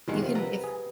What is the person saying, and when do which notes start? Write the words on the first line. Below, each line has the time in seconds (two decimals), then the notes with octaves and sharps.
you can if
0.08 E2 D#3 G3 G#3 A#3 F#5
0.22 C3 F3
0.35 B4 E5 A#5
0.64 G#4